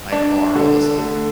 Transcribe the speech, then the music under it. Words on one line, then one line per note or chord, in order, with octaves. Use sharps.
my car all of a sudden s
D4
D3
A3